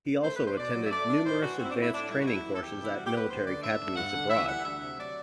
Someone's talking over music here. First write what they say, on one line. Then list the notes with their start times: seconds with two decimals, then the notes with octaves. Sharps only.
He also attended numerous advanced training courses at military academies abroad.
0.23 A3 C5
0.35 B4
0.41 B2
0.47 C5
0.58 B2 D5
0.74 F#3
0.86 E5
0.91 A3 D5
1.08 D4
1.25 A2 C5
1.42 E3 F#4
1.59 C4 F#4
1.65 E4
1.70 D4
1.75 A2
1.82 E4
1.93 A2 D4
2.10 G3 E4
2.21 F#4
2.27 F#3 E4
2.44 E2
2.54 A4
2.61 E2 G4
2.77 C3
2.84 E4
2.95 G3 F#4
3.06 G4
3.11 B3
3.17 B4
3.28 D2 C5
3.46 D3 D5
3.62 A3 E5
3.80 D4
3.96 G2 F#5
4.13 D3
4.30 E3 E5
4.47 G3 F#5
4.64 D2 E5
4.81 C3
4.97 F#3 D5